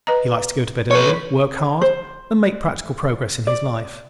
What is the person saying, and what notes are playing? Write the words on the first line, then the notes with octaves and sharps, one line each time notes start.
He likes to go to bed early, work hard and make practical progress in his life.
B4 D#5 A#5
B4 C#5
C5
D5